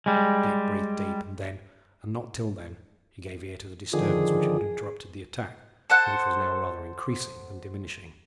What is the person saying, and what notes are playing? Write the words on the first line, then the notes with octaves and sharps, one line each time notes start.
Dick breathed deep, and then, and not till then, he gave ear to the disturbance which had interrupted the attack, and which was now rather increasing than diminishing.
G3 G#3
D3 D#3 F3 G#4
A4 C5 F#5